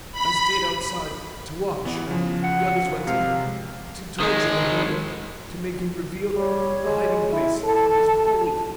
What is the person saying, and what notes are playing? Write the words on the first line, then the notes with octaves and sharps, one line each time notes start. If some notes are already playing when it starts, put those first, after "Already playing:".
"I stayed outside--to watch--the others went in--to torture the hermit--to make him reveal--the hiding-place--of his gold."
B5
E3 B3
C#3 F3
F#5
C3 G#3 F5
D#3 G#3
G3 C#5
G#3
E4
A4 A5